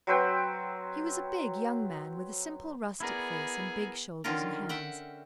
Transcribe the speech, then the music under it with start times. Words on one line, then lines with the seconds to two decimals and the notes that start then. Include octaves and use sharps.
He was a big, young man with a simple rustic face and big shoulders and hands.
0.07 F#3 C4 B4 G5
3.00 B3 E4 G#4 A#4 D5
4.24 D3 D#3 C#4 F4 A#4
4.69 E5 F#5 G5